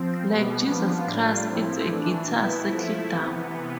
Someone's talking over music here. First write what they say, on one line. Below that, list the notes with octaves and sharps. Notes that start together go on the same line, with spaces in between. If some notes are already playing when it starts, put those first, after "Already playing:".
Like 'Jesus Christ it's a guitar, settle down.
Already playing: F3 C4
B2 G3 B3
F3 B3 D4 F4
A2 G3 D4 F4
A2 F3 C4 E4
E3 A3 D4
B2 B3 E4
F3 A3 E4
C3 E3 B3